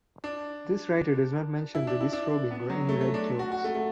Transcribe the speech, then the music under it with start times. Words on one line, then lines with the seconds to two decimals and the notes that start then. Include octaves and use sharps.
This writer does not mention the disrobing or any red clothes.
0.24 D4
1.75 E4
1.87 D4
2.01 E4
2.13 D4
2.51 B3
2.70 F#3
2.89 A3
3.01 A3
3.14 D4
3.39 F#4
3.52 F#4
3.64 A3
3.75 A3